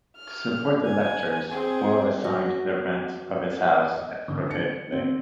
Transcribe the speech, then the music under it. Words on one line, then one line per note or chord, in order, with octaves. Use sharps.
To support the lectures, Boyle assigned the rent of his house in Crooked Lane.
F6
G#5
C4 G#4
F#4
D#5
D3
C#7
C4